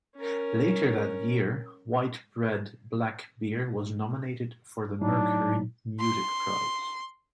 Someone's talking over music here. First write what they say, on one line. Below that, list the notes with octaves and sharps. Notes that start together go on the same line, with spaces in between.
Later that year, "White Bread, Black Beer" was nominated for the Mercury Music Prize.
C#4 A#4
A2 F#3 D4 D#4
C6